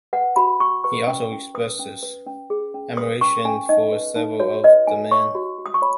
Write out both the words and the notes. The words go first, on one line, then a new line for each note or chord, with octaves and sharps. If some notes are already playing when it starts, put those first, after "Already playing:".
He also expresses admiration for several of the men.
B4 F#5
F#4 B5
F#4 C#6
B4 C#6
C#4
C#4
B4 D#6
C#4
B4
C#4
G#4
C#4
B4 D#6
C#4 C#6
C#4 G#5
D#4 D#5
B4
D#4
F#4 C#5
B4 D#5
D#4 G#5
C#5 C#6
F#4
F#4
D#6
C#6
C#5 B5